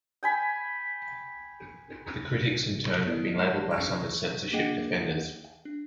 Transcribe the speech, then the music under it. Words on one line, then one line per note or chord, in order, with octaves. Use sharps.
The critics, in turn, have been labelled by some as "censorship defenders".
G5 G#5 B5
B3 E4 D5
G#3 D5 F#5 A#6 C7
C#6 E6 F#6 G#6 A#6
A#3 D4 G#4 D#5 F#5 G5
D4